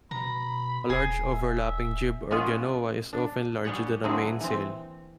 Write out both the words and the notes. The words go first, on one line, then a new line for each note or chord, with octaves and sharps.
A large overlapping jib or genoa is often larger than the mainsail.
B2 A#5 B5
D#1 G#4
E5
G#3 B3 C#4 F4 G#4
D4
G3 G4 G#4 C#5 F#5
D3 F#3 A#3 C4 E4 G#4
E3 C4